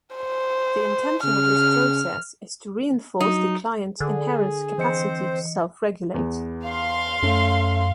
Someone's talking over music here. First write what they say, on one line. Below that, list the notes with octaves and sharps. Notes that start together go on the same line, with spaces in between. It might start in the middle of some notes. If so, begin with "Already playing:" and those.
The intention of this process is to reinforce the client's inherent capacity to self-regulate.
C5
C#3 F6
F#3 D#4
D3 G#4
E3 C4 C5 D#5 C#7
E2 B3
F5 C6
F#2 A3 C#4